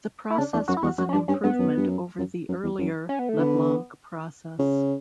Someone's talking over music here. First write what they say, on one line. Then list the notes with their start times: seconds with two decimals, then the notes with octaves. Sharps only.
The process was an improvement over the earlier Leblanc process.
0.30 E4
0.38 C#3 D4
0.53 E2 D4
0.68 F#2 F#4
0.77 E4
0.83 E2 F#4
0.98 F#2 F#4
1.09 C#4
1.13 G2 D4
1.28 G2 C#4
1.44 G2 B3
1.59 F#2
1.78 G2
1.88 F#2
2.19 F#2
2.49 F#2
2.64 E2
2.79 F#2
3.09 C#4
3.19 B3
3.29 A3
3.38 D3 B3
4.59 C#3